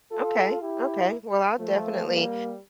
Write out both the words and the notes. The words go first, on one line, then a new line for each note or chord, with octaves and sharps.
Okay, okay, well, I'll definitely
F4 A4
E4 G4
F3 A3
G3 A#3